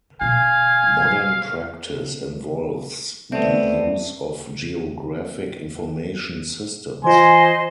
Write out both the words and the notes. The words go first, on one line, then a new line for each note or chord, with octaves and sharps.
Modern practice involves the use of Geographic Information Systems.
B2 D3 F5 G#5
A3 B3 C4 D5 E5
E3 F4 C5 D#5 G#5 C6